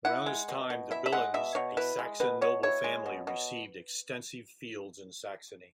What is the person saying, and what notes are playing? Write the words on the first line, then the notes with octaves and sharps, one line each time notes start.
Around this time, the Billungs, a Saxon noble family, received extensive fields in Saxony.
E4 F#5
G#3
B2
B2
E4 E5
E5
G#3 F#5
B2 E5
B2 C#5
E4 B4
G#3
B2 B4
B2 C#5
E4 C#5
G#3
B2
B2